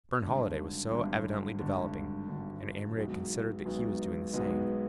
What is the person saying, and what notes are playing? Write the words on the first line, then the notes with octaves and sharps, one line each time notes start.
Burne Holiday was so evidently developing--and Amory had considered that he was doing the same.
G#1 G2 D3
G#1 G2 D3
G#1 G2 D3
G#1 G2 D3
B1 B2 G#3 B3 D#4
B1 B2 G#3 B3 D#4
B1 B2 G#3 B3 D#4